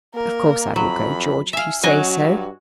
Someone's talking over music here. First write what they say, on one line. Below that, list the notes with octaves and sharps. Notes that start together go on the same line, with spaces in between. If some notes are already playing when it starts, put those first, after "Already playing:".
Of course I will go, George, if you say so.
A#3 A#4
F2 F#3 B5
E5 F5 G#5
F#3 C#4 F#4 D#5 G#5
G2